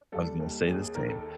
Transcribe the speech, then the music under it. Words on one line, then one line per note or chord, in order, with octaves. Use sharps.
I was gonna say the same.
G3 A4
D#2
D#2 G#4
G#4
D#3 A#4
A4